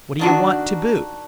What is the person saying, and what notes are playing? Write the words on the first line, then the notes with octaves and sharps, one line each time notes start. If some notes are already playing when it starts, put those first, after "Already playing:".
What do you want to boot?'
D#3 D4 F#4